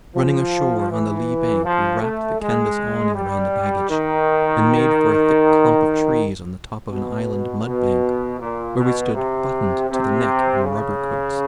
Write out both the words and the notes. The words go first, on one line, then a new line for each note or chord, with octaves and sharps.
Running ashore on the lee bank, we wrapped the canvas awning around the baggage, and made for a thick clump of trees on the top of an island mudbank, where we stood buttoned to the neck in rubber coats.
F3
E3
F3
A3
G#3
G3
D#3
B2
B2
A#2
B2
C3
C3
C#3